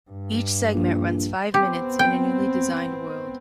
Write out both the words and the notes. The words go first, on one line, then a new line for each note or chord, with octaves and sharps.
Each segment runs five minutes in a newly designed world.
G2
A#1
B3 C4 G4
G5